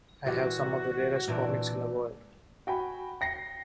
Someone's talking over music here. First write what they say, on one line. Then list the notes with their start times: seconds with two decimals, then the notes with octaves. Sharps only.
I have some of the rarest comics in the world.
0.25 A#2 E3 F#4 G4
1.28 A#2 E3 D4
2.67 F#4 G5 G#5 B5
3.21 G5 A#6 C7 C#7